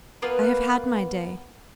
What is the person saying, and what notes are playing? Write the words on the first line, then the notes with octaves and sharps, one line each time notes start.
I have had my day.
A#3 B3 F4 B4